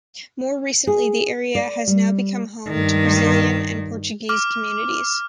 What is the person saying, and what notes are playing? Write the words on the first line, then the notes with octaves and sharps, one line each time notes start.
More recently the area has now become home to Brazilian and Portuguese communities.
G#4
D5
G3
G2 D#3
D6 F6